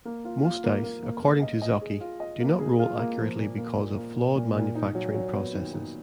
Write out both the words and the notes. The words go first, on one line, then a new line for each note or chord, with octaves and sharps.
Most dice, according to Zocchi, do not roll accurately because of flawed manufacturing processes.
A#3
F4
F4
A#3
A#3
A#3
A#3
D#5
D#5
G#4
F4
D#5
A#3
G#4
F4
A#3
F3
A#2
A#3
A#2
A#3
A#2
A#2
A#2
D#4
F#3
F#3
B3
D#3
D#4